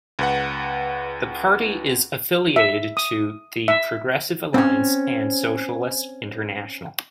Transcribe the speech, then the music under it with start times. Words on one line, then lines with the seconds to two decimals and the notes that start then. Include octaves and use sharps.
The party is affiliated to the Progressive Alliance and Socialist International.
0.19 C#2 B4 F#5
2.56 E5
2.97 D#6
3.68 E5
4.54 C4 C#4